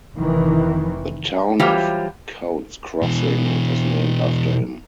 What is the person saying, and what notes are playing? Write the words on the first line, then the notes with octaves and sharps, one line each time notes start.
The town of Coutts Crossing is named after him.
F1 D#3 E3
E3 F#3 G3 F4 G4 C5
B2 E3